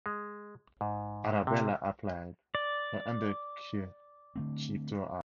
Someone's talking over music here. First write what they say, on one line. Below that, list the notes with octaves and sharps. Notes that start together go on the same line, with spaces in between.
Arabella applied her handkerchief to her eyes.
G#3
G#2
C3
D5
D3 A3 C4